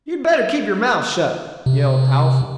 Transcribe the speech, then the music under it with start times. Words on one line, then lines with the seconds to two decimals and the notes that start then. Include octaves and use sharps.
"You better keep your mouth shut," yelled Alf.
1.66 C3